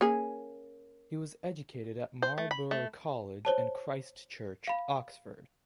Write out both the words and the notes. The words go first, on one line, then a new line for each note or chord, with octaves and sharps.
He was educated at Marlborough College and Christ Church, Oxford.
A#3 C#4 G#4
C5
A3
B5
A3
C5 C#5 A5
F5 B5